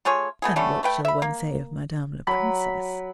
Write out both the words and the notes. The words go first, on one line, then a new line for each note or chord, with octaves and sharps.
"And what shall one say of madame la princesse?"
A3 F4 G#4 C#5
E3 A3 B3 G#4
D3 G3 A3 C#4
A3 B4 G5
E5 B5
A#3
F#3 B5